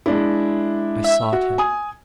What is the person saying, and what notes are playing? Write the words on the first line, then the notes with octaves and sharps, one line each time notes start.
I sought him.
G#3 D4 E4
E5
F#4
G#5 D#6